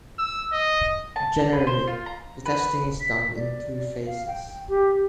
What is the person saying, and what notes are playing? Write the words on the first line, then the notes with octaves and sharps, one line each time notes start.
Generally, the testing is done in two phases.
E6
D#5
A5
A#5
B4
C5
F4
A#5
B4
B6
D5
D5
F5
G5
G4